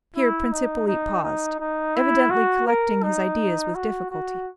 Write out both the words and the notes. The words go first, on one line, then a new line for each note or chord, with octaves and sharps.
Here Prince Hippolyte paused, evidently collecting his ideas with difficulty.
E4
D#4
D#4
D#4
D#4
E4
F#4
A#4
D#4
F#4
F#4